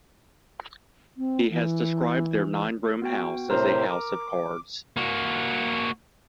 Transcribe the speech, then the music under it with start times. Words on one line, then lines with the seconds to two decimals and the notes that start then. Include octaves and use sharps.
He has described their nine-room house as a house of cards.
1.17 C4
1.51 E3
3.02 B3 F#4 G5
3.50 A2 C3 A#4 C5 A#5
3.91 D6
4.97 A#3 F#4